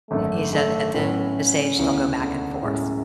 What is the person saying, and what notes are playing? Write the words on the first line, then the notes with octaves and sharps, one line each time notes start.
He said, "At this age they'll go back and forth."
G#1 F#2 D3 A3
A3
A2 F#3 B3 C#4
E1 D2 C#3 E3
D3
F#2 A2 G#3 C#4